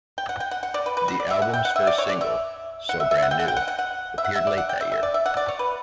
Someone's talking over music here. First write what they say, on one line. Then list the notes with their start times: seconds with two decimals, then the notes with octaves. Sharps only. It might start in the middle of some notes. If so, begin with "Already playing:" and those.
The album's first single, "So Brand New", appeared late that year.
0.18 G5
0.29 F#5
0.40 G5
0.51 F#5
0.63 F#5
0.74 D5
0.86 B4
0.97 B4
1.08 F#4
1.20 D5
1.30 E5
1.42 F#5
1.53 G5
1.65 F#5
1.76 E5
1.87 D5
1.98 C#5
2.10 D5
2.21 E5
2.89 F#5
3.00 E5
3.11 E5
3.23 F#5
3.31 G5
3.40 F#5
3.48 G5
3.57 F#5
3.68 F#5
3.79 F#5
4.18 E5
4.24 F#5
4.36 E5
4.47 D5
4.58 F#5
4.69 G5
4.81 E5
4.92 E5
5.03 D5
5.14 E5
5.26 F#5
5.37 D5
5.48 C#5
5.59 B4